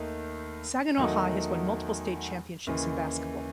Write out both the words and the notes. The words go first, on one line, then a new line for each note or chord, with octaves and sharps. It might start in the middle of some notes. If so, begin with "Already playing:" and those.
Saginaw High has won multiple state championships in basketball.
Already playing: D#2 D#3 A3 D#4
E2 D#3 F#3 A3 D#4
D#2 C#3 E3